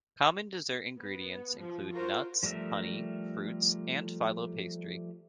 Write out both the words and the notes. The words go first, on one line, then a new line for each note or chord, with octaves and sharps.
Common dessert ingredients include nuts, honey, fruits, and filo pastry.
B3
F3
F4 F#4 A#4 C5
F3 G3 A3 A#4 E5